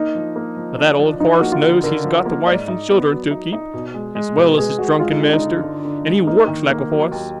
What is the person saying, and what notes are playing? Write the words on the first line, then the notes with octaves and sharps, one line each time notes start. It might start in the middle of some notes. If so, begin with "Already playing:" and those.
But that old horse knows he's got the wife and children to keep--as well as his drunken master--and he works like a horse.
Already playing: A#3 D#4
F3
A#3
F3
D4
F3
F3 D#4
A#3 F#4
F4
D3
D3 A#4
F3
A#3
G#2 D5
D#4
B3
F#3
D#4
D#4
B2
G#3
G#3
B2 B4
G#3 G#4
G#3 F#4
G#3 F4
D#4
G#3 D4
D#4
D3
D3
D3
G#3
A#3 D#4
D#3
A#3
F#3
D#2